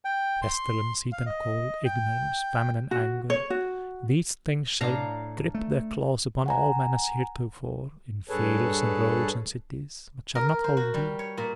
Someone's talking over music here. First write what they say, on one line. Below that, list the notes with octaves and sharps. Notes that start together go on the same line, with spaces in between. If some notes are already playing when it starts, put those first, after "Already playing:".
Pestilence, heat and cold, ignorance, famine and anger, these things shall grip their claws upon all men as heretofore in fields and roads and cities but shall not hold thee.
G5
C6
F5
D#5
G5
F#4
C#5
F#4
A2 D4 F5 A#5
A3
F#5 G#5 A#5
G2 G#4 A4 B4 C#5 A5
A#4
A#4
C5
F#4
G3
C#5
A#2